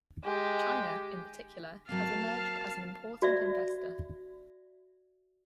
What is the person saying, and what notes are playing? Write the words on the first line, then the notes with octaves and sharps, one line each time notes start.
China, in particular, has emerged as an important investor.
G#3 G4
F#3 A#3 C4 F5 A5
F#4 D5 E5